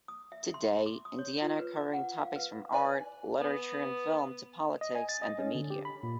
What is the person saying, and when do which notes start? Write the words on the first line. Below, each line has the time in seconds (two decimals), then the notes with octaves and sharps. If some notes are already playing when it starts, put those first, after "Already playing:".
Today, Indiana covering topics from art, literature and film to politics and the media.
0.08 D#6
0.32 E5
0.54 C6
0.86 D6
1.05 D#6
1.19 C#5
1.41 F4
1.59 B4
1.76 D6
1.93 F#5
2.18 F5
2.36 B4
2.72 B4 D5 G#5
3.40 B3
4.81 D#5
4.95 G#5
5.09 A6
5.22 D#5
5.38 C#4
5.55 D3
5.70 G4
5.85 B5
6.03 A#2